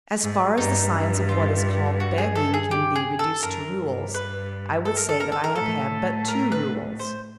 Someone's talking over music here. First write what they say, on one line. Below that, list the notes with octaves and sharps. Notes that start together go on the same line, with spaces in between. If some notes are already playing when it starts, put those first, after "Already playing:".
As far as the science of what is called begging can be reduced to rules, I would say that I have had but two rules.
G#2
G2 D#4
F4
F#4
G#4
A4
G#4
G4
G#4
A4
F#2 A#4
G2
B4
A4
A#4
A4
A#4
A4
A#4
A2 A4
A#4
B4
C5